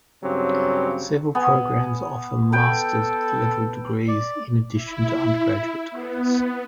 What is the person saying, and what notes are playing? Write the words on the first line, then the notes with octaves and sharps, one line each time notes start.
Several programs offer masters level degrees in addition to undergraduate degrees.
G2 C#3 F#3 C4 G4
B3 G#5
A4 B4 G5
D5
E4
B3